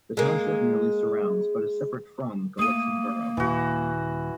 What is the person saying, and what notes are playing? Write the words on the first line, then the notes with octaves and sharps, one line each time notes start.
The township nearly surrounds but is separate from Gallitzin borough.
G#3 A#3
A3 A#3 D#6 D#7
D#1 E3 F#4